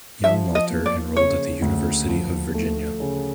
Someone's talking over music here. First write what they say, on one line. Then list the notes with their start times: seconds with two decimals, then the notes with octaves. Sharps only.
Young Walter enrolled at the University of Virginia.
0.24 F3 E5
0.55 D#5
0.70 A#3
0.86 D5
1.16 C#3 C#5
1.62 D2
2.08 F3
2.54 A3
3.00 C#3